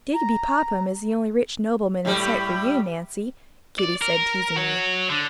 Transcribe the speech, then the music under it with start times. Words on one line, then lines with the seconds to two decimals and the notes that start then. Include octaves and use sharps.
"Digby Popham is the only rich nobleman in sight for you, Nancy!" Kitty said teasingly.
0.13 A#5
2.05 A2 G3
3.79 D5
4.02 A#4
4.56 F#4 C#5
5.09 D3 D4